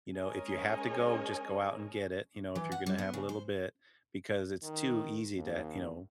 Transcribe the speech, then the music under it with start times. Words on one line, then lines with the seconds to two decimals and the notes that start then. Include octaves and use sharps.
You know, if you have to go, just go out and get it, you know, if you're gonna have a little bit because it's too easy to, you know,
0.16 G#3 C#4 A#4 C#5 D#5 G#5
2.55 E3
2.72 F#5
2.86 G3
2.98 B3
3.13 C#3
3.29 C5
4.63 D#3
5.35 D#2